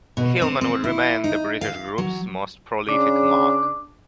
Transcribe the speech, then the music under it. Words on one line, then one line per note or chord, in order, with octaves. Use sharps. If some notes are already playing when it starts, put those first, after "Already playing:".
Hillman would remain the British group's most prolific marque.
B2
C4
C4
E4
D#4
F5
F#3
C#3 D4 D6